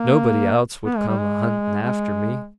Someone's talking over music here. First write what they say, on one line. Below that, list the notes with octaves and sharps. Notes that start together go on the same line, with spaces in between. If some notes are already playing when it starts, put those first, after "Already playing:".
Nobody else would come a-hunting after me.
Already playing: A#3
B3
G#3
G3
G#3
G#3